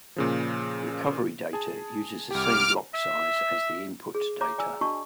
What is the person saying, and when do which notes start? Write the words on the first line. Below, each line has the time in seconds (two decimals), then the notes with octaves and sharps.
Recovery data uses the same block size as the input data.
0.16 A#2 C#3 F3
1.53 G#4 A5
2.31 C2 G4 D6 F6
2.94 E5
4.15 G#4
4.41 C#5 E5 A#5 D6
4.58 D5 G#5 E6
4.81 D4 F#4 D#5 A5 C#6